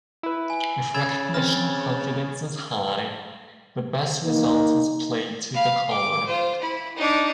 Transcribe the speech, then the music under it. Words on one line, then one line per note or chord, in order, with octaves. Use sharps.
If recognition confidence is high, the best result is played to the caller.
E4 B4
G#5
C#3 B5 E6 G#6 A6
C4 F6 A6
A#3 D#4
F5 B5
D6
F4 C5
E4 B5
D4 D#4